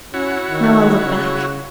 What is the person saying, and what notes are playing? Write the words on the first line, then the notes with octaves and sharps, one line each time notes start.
Now I'll look back.
C#4 E4 F#4 C#5
D#3
C#3